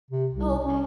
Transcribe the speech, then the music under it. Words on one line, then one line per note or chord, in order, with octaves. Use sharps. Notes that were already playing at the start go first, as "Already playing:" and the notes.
Oh, okay,
C3
C2
C#4